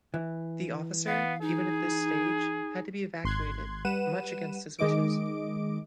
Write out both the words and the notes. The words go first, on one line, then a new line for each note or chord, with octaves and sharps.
The officer even at this stage had to be evacuated much against his wishes.
E3
B3 F5
D#4 G#4
G#1 C6 F#6 G#6
G3 B4 F#5 D#7 E7
D#3 G#3 D#5 D6 D7